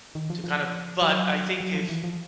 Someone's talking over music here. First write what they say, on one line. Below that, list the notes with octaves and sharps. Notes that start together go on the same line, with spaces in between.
to kinda but I think if
D#3
F3
F3
F#3
F#3
F3
E3
F3